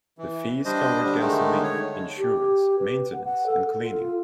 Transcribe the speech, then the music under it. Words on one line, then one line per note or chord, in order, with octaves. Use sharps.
The fees covered gasoline, insurance, maintenance, and cleaning.
E3
G3 D4 C5 D#5
D3 G3 D4
D3 D#3 G#3 A3 D#4
C#5
G4
B4
F#5
F#5
A4
A4
F4